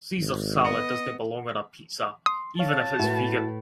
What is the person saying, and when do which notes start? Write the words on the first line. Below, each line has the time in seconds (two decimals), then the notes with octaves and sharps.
Caesar salad does not belong on a pizza even it it is vegan.
0.20 G#1
0.65 B3 D#5 C#7
2.26 C6 D#6
2.59 C#5 F5 A5
3.00 A2 E4 F#4 B4